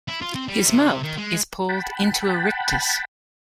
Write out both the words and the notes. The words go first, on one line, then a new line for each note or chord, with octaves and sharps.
His mouth is pulled into a rictus.
E4
F4
C4
G3
C3
D#3
G#3
F#5 G5 A5 B5